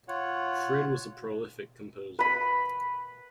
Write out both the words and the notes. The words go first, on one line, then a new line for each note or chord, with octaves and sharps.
Frid was a prolific composer.
F4 C#5 F#5
B4 B5